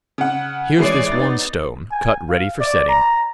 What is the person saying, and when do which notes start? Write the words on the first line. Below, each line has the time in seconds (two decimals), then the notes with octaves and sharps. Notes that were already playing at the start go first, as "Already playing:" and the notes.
Here's this one stone, cut ready for setting.
0.18 C#3 F#5
0.78 E3 G#3 G#4 C#5 D5 C7
1.12 B3 D#4 A6
1.91 G#5
2.29 F5
2.60 D5
2.88 A#5